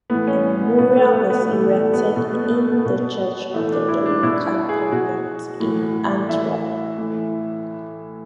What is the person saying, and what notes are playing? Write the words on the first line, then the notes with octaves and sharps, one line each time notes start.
A memorial was erected in the church of the Dominican convent in Antwerp.
A2 E3 B3
C#4
C#4
B3
B2 B3
A3
A3
B3
A2 E3 A3
A3
B3
B2 A3
B3
B3
A3
B3
B2
A2 E3 A3
D4
E4
D4
B2 E4
E4
G#4
B2 F#4
A2 E3
A2 E3 E5
A2 E3